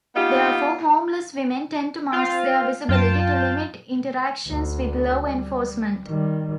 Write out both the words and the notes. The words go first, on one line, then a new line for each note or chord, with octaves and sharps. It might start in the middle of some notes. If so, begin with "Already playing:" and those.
Therefore, homeless women tend to mask their visibility to limit interactions with law enforcement.
B3 D#4 F4 G4
C4 F4 F5
F#2 F4 G5 A5
D2
G3
D#3 G3